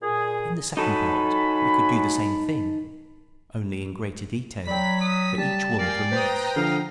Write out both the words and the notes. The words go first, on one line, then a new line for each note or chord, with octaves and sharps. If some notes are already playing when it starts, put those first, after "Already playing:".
In the second part we could do the same thing, only in greater detail, for each one of the months.
A#2 G#4
F#3 D#4 A4 G#5 B5
F#3 D5 G5 B5 B6
D#6
G3 A5
A#4 D5 F5 G5 G#5
B4 C5 G5 A#5 D#6
D3 F3 F5